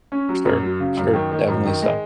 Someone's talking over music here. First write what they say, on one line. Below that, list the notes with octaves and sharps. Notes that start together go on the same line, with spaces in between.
Sure. Sure. Definitely so.
C#4
F#3
F#2
F#3
C#3
F#2
D#3
D#3
F#2
D#3
G#3